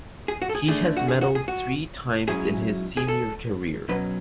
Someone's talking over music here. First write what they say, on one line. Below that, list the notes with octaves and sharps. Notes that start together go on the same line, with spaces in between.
He has medalled three times in his senior career.
G#4
F#4
A4
G#4
D3 A3 D4 G#4
F#4
G#4
F#4
G#4
F#4
G#2 F#3 C#4 E4 G#4
G#4
A4
B2 F#3 C#4 B4